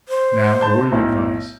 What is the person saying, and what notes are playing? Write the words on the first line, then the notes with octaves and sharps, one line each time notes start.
"Now, a word of advice."
C5
A5 G6
B1 A2